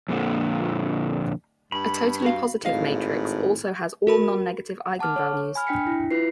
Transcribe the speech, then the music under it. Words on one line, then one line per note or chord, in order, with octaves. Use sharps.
A totally positive matrix also has all nonnegative eigenvalues.
F2 A#2 D3
G2 B5
F#4 F5
G#1 A2 D#5 F5
F#4 A#4 B5
F#5 A5 D6 F6
C#5
G#5 B5 F6
D4 G5 B6 C#7
E4
E4 F4 B4 C7